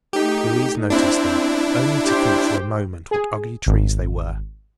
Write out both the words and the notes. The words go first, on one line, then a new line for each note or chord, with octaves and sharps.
Louise noticed them, only to think for a moment what ugly trees they were.
A3 D#4 G4
C4 D4 E4
G4 C5 G5
G#4
G#1